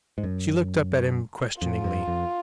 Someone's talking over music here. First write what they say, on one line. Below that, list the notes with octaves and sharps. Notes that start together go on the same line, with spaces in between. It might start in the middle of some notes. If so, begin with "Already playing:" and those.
She looked up at him questioningly.
G#2
F#2
F2 F4
F2
F2